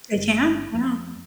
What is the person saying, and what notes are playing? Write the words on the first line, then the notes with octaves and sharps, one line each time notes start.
They can, yeah.
G1
F2